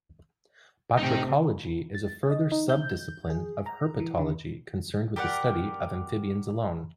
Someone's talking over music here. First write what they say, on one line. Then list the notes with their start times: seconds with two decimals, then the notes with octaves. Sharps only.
Batrachology is a further subdiscipline of herpetology concerned with the study of amphibians alone.
0.99 A2 C3 D#4 G5
1.95 A6
2.30 D#5
2.52 D#4
2.69 G6
3.30 G#4
3.66 A#5
4.00 E3
4.19 D3
5.16 G4 A#4 D5 F#5